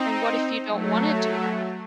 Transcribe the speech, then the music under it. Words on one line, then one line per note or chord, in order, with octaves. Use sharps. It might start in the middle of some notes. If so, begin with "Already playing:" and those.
and what if you don't wanna do that?
Already playing: C4 D#4
F#3 A3